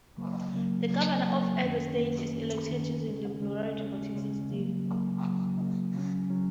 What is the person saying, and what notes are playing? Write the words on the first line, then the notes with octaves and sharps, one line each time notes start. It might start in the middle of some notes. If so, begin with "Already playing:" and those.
The Governor of Edo State is elected using the plurality voting system.
C#3 F#3 A#3
C#3 F#3 A#3
C#3 F#3 A#3
C#3 F#3 A#3
F#2 D#3 A#3 C#4
F#2 D#3 A#3 C#4
F#2 D#3 A#3 C#4
F#2 D#3 A#3 C#4
D#2 C#3 G#3 C#4
D#2 C#3 G#3 C#4
D#2 C#3 G#3 C#4
D#2 C#3 G#3 C#4
C#3 F#3 A#3
C#3 F#3 A#3
C#3 F#3 A#3
C#3 F#3 A#3
C#3 F#3 C#4
C#3 F#3 C#4